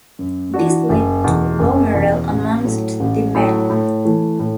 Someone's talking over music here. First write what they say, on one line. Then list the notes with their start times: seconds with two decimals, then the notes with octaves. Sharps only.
This led to low morale amongst the men.
0.19 F#2
0.54 E3 D4 F#4
0.89 F#1
1.24 E2 B2
1.59 F#1
1.94 E2 B2
2.29 A1
2.65 A2 F#3
3.00 A1
3.35 A2 F#3
3.70 A2
4.05 E3 A3
4.39 A2